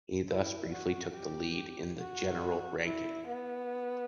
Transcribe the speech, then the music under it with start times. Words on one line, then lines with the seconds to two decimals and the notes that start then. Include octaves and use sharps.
He thus briefly took the lead in the general ranking.
0.28 E4
0.72 F#4
1.14 G4
1.98 F#4
2.84 E4
3.26 B3